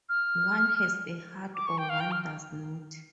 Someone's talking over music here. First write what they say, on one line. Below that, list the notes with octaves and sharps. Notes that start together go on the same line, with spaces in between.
One has a heart or one does not'.
F6
D6
C#6
G5
F5
G5
F6